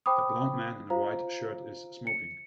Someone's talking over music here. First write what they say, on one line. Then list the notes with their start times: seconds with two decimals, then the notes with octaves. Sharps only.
A blond man in a white shirt is smoking.
0.06 C5 G5 B5 D6 D#6
0.90 F4 C5 F5 A#5
2.07 C#7